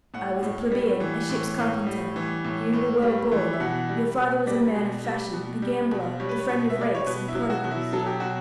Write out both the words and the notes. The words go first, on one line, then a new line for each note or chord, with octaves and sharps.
I was a plebeian, a ship's carpenter; you were well born, your father was a man of fashion, a gambler, the friend of rakes and prodigals.
A2 F#5
A2
G3
E3
A2
A2
G3
E3
A2
A2
G3
E3
E5
B2 F#5
G3
B2
G3 D5
B2
G3
B2
G3
B2
G3 C#5
B4
C#5
B2
E5
G3 D5
C#5
B2 B4
E4
F#3
F#4
B2
E4
F#3 A4
G4
B2 F#4